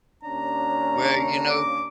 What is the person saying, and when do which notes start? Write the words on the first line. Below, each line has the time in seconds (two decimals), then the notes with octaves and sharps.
Well, you know,
0.23 D#2 C#4 D4 A#5
1.50 D6